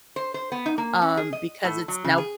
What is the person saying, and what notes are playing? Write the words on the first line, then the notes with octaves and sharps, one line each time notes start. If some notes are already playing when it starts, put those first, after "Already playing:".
um, because it's now
C5
C5
B3
D#4
A#3
C#4
G#4
D#5
A2
F#3
C#3
G#4